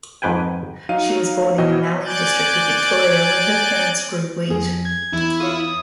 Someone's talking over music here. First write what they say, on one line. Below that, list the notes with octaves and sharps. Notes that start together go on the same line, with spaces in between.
She was born in the Mallee district of Victoria where her parents grew wheat.
F2 G#2 B4 G5 G#5
F#3 D#4 F5 D#7
B2 E3 F#4 D#5 G5
D5 G#5 D6 F#6 G6 A6
F2 G#4
G#6
E2 E4
F4 C#5 D#6